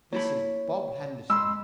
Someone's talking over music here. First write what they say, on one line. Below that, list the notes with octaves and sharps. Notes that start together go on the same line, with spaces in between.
This is Bob Henderson.
A#3 E4 C#5 B5
G#3 D#5 B5 C6 E6